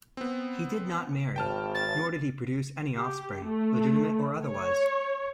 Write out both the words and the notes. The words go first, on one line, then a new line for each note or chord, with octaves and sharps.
He did not marry, nor did he produce any offspring, legitimate or otherwise.
B3 C4
G#1 G5 A5 F6
A6
G4
A3
C#5